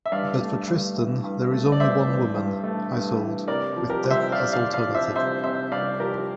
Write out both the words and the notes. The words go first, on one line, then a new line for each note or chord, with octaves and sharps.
But for Tristan there is only one woman, Isolde, with Death as alternative.
E5
G2 D5 F5
A3
G2
E3
G2
A3
D5
G2 C5 E5
E3
G2
A3
G2
E3
C2 A#4 D5
F3
G4 A#4
C2
C5 E5
C3 D5 F5
D5 F5
C2
D5 F5
F3
C5 E5
C2 C5 E5
C3 C5 E5
C2 D5 F5
F3 G4 A#4